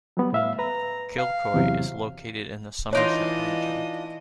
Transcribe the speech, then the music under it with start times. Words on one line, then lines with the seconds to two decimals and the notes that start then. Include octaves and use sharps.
Kilcoy is located in the Somerset Region.
0.17 F#3 G3 B3
0.33 A2 E5 F5
0.59 B4 A#5
1.19 F5
1.54 E2 C3 F#3
2.93 E3 D4 D#4 F4 C#5 D#5 D7